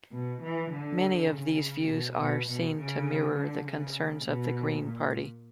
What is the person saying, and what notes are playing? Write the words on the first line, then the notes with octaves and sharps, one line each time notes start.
Many of these views are seen to mirror the concerns of the Green party.
B2
E3
D3
C#3
B2
B2
B2
C#3
D3
C#3
B2
A#2